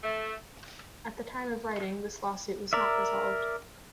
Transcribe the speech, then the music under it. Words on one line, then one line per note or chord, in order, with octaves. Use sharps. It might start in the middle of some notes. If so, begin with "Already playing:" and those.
At the time of writing, this lawsuit was not resolved.
A3
A#4 D5 E5